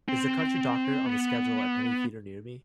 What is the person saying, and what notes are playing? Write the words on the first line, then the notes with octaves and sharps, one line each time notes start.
Is The Country Doctor on the schedule at any theater near me?
C4
B3